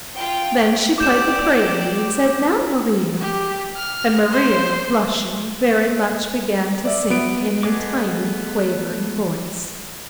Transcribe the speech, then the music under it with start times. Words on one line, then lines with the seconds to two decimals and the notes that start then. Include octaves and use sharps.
Then she played the prelude and said "Now, Maria!" and Maria, blushing very much began to sing in a tiny quavering voice.
0.16 F4 G5
0.98 G4 D5 D6 G6 E7
3.21 G4
3.76 F6
4.31 C5
6.85 D5 E5
7.10 B3 D7
7.63 A3 B3 G#4 D#5 D6